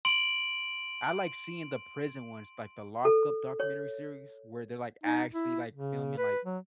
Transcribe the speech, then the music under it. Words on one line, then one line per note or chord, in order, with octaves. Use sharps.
I like seeing the prison ones, like the Lockup documentary series, where they're, like, actually, like, filming, like,
C6 D7 F#7
A4
C#5
D#4
E4
C#3
B4
F#3